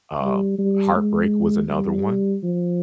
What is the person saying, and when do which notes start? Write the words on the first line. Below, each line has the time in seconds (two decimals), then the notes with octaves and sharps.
um, heartbreak was another one,
0.22 G3
0.59 G3
0.96 G#3
1.70 G3
2.43 F3